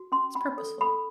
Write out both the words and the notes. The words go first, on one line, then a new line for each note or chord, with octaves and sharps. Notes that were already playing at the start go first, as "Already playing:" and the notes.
It's purposeful.
Already playing: F#4
C#4 C6
C#4 B5
A4
A4 B5